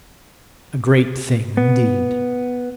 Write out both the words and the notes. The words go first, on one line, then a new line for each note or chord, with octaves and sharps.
A great thing, indeed.
B3